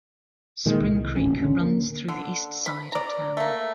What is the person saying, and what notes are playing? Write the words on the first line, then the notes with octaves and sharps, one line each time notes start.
Spring Creek runs through the east side of town.
A#2 D#3 G#3
C2
D#1 A1 C#4
D3 C#4
A#3
D3
B5
D5 A#5
A3 A#3